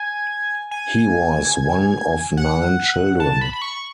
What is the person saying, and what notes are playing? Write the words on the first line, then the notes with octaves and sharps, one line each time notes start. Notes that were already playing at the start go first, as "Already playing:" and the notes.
He was one of nine children.
Already playing: G#5
G#5
F#5
A5
B5
B5
C#6